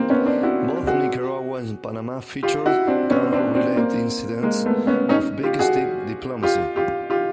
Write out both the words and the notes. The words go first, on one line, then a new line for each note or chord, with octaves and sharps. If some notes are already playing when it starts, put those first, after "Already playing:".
Both Nicaragua and Panama featured canal related incidents of Big Stick Diplomacy.
Already playing: A#3 C4
B3 C#4
C4 D4
E4 F#4
F#4 G#4
F4 G4
E4 F#4
C4 D4
B3 C#4
C4 D4
C4 D4
A#3 C4
G#3 A#3
A3 B3
B3 C#4
C#4 D#4
F4 G4
F#4 G#4
F4 G4
F4 G4
F4 G4